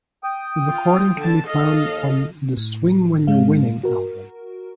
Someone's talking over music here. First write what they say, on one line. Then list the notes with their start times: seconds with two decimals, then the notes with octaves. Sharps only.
The recording can be found on the "Swing When You're Winning" album.
0.24 G5 D#6
0.66 F4
1.17 D3 A5
1.46 A4 D#5 F5
1.78 D#2
2.57 A2
3.27 G#2 G#3 F5
3.83 F#4 A#4